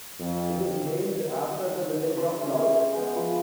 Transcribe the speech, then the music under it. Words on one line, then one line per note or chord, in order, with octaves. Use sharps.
It is named after the village of Louth.
F2
G4 A5 C6 C#6
A3 C#4
C#4 G#4
C5
G#3 B3
F3 B5